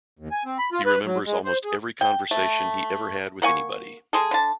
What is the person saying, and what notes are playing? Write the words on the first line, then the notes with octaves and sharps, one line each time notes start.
He remembers almost every conversation he ever had with anybody.
D#2
G#5
C4
B5
F4
B4
F#3
G#3
C5
G#4
G5
A3
A#3 F#5 G#5 C#6
G#3 G#4 A4
D3 A5